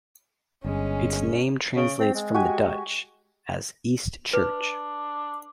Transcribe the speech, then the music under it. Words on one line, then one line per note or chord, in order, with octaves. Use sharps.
Its name translates from the Dutch as "east church".
G1 G#3 C#4
C#3
C4
G#3
F#4 G4 G#5
D4 B4